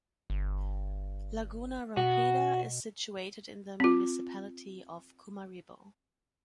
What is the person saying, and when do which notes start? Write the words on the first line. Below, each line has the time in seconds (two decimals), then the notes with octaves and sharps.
Laguna Rompida is situated in the municipality of Cumaribo.
0.30 G1
1.97 B2 F#4
3.80 C4 F4